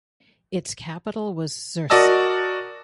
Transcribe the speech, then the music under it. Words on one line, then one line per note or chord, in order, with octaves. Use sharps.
Its capital was Czersk.
F#4 A#4 D5 D#5 A5 E6